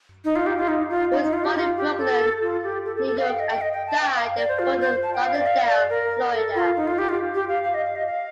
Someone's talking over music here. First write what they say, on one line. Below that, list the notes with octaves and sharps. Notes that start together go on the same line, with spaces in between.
He was born in Brooklyn, New York and died in Fort Lauderdale, Florida.
D#4
F4
G4
F4
D#4
F4
D#4
D#4
F4
G4
F4
G4
A4
F4
G4
A4
A4
A4
F5
G5
D#5
G5
D#5
G5
A5
G5
F5
D5
C5
F4
C5
A5
G5
F5
D5
F5
D5
A#4
A4
F4
D#4
F4
G4
F4
G4
F5
F5
D#5
F5
D#5
F5